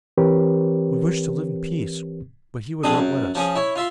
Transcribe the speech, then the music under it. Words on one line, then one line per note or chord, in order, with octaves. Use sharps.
We wished to live in peace, but he would not let us.
E3 C4 G4 A#4 B4 C#5
A#1 D3 C4 D4 G#4 D#6
F#2
F3 C#4 G#4
E4 C#5
F4 E5 C6